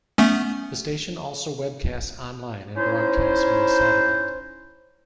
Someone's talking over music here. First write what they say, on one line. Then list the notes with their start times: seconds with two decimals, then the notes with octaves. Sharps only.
The station also webcasts online and broadcasts via satellite.
0.18 A3 B3 C#4
2.76 C#4 D#4 E4 C5